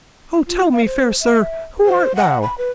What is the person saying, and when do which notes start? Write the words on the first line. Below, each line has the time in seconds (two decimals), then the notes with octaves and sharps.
'Oh, tell me, fair sir, who art thou?
0.47 F4
0.72 F5
0.85 C5
1.20 E5
1.85 C5
2.16 F#5
2.42 B5
2.58 B4